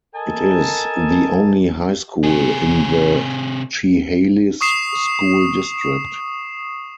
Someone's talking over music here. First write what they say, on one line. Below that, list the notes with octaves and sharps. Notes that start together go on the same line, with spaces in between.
It is the only high school in the Chehalis School District.
A4 A#4 D#5 G#5 A5
C3 G#4
C#6 D#6 C7 E7